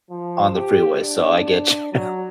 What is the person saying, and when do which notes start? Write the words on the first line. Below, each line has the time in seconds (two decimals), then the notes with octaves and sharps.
on the freeway, so I get you,
0.11 F3
0.53 G4
1.01 D4
1.93 F#3